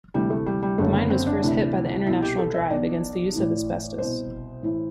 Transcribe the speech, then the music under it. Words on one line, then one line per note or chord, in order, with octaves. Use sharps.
The mine was first hit by the international drive against the use of asbestos.
D2 C3 E3 G3
A3
G3
G3
F#1 F#2 D3 A3
B3
C4
D4
D2 C3 E3
C2 B2 E4
G4
A4
E5
B1 B2 D5
A1 A2 E3
C2 B2 C5
A1 A2 E3